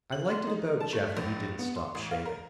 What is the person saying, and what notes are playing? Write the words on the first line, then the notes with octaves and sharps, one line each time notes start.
I liked it about Jeff that he didn't stop shaving.
F#7
C6
D#4
A5
A3
A#1
B3
C6
A1
F5
A#4